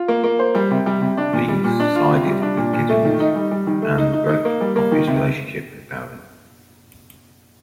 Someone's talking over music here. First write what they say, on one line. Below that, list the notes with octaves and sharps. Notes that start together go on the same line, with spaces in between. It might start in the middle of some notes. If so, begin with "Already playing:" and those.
Leese sided with Gittens and broke off his relationship with Baron.
Already playing: F4
A#3
A#3
C5
G3
C3
G3
C3
D4
A#2
G3
A#2
D4
F4
C3
G3
D4
A#2
A#2
A3
D#3
D#4
G3
G3
D#3
A3
D#4
D#4
D#4
A#3
G3
A#3
D#3
C3